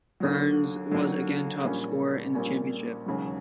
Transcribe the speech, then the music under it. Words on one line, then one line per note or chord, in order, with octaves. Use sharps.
Burns was again top scorer in the Championship.
D#2 D3 F#3
D#2 D3 F#3
A#1 A#2 G3 A#3 C#4
A#1 A#2 G3 A#3 C#4
E1 D#2 C#3 F#3